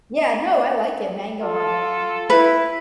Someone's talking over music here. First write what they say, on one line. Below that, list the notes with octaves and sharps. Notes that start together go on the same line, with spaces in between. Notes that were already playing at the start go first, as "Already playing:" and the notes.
Yeah, no, I like it, Mango Habanero.
F4 A4
E4 B4